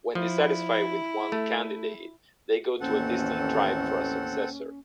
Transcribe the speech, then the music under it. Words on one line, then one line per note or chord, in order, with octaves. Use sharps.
When dissatisfied with one candidate, they go to a distant tribe for a successor.
F3 E4
A3
A1 D#2 C4 C#4 A4 F#5